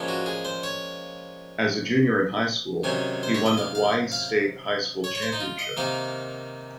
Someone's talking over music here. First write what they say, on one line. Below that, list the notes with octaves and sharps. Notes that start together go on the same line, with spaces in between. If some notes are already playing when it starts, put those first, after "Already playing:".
As a junior in high school, he won the Hawaii State High School Championship.
Already playing: A#2 F3 G#3 C#4
F#4
G#4
C5
C#5
C3 D#3 F#3 C#4 G#5
C5
C#5
D#5
F5
F5
F5
C#5
C#5
C5
D#4
F4
D#5
C3 D#3 A#3 F5